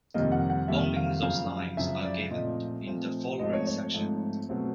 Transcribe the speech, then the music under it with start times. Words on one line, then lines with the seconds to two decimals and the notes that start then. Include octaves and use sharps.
Only those lines are given in the following section.
0.14 F2 C3 D#3 G3 A#3 D#5
0.32 F#5
0.50 F#5
0.68 F2 C3 D#3 G3 A#3 E5
0.96 F5
1.22 F#2 C#3 F3 F5
1.77 F#2 C#3 F3 E5
2.05 D5
2.31 A#2 F3 A3 C4 D#5
2.86 A#2 F3 A3 C4
3.39 G#2 F3 A3 C4 D#5
3.53 C#5
3.67 C#5
3.94 G#2 F3 A3 C4
4.49 B2 F#3 A3 C4